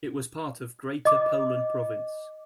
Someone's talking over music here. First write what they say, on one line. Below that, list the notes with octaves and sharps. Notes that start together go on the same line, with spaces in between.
It was part of Greater Poland province.
D#5 D6